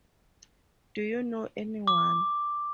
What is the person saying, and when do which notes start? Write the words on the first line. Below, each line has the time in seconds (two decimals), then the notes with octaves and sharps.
Do you know anyone?
1.87 D6